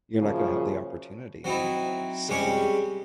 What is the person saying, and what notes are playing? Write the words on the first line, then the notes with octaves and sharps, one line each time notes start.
you're not gonna have the opportunity anymore, so
F#2 A#2 C#3 F3 C#5
F#3 C4 D#4 E4
G3 G#3 C4 C#4 G4 C#5